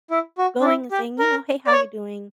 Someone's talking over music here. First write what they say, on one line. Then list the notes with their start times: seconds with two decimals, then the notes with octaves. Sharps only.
going and saying, you know, "Hey, how you doing?"
0.11 E4
0.38 F#4
0.61 D4
0.65 E4
0.91 G4
1.19 A#4
1.67 D5
1.72 C#5